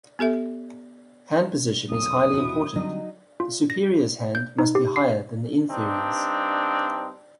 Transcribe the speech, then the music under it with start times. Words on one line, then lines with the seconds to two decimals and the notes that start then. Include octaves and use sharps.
Hand position is highly important; the superior's hand must be higher than the inferior's.
0.19 B3 G4 A4 E5
1.91 B1 F2 C#3 D#6
2.33 E2 A#2 D#3 E4 F#4 C5
2.76 D3 F#3 G3 C4 D#4 D#5
3.40 F4
3.70 A#6
4.35 G6
4.59 D#4
4.75 G4
4.96 C7
5.69 G2 C4 D4 D#4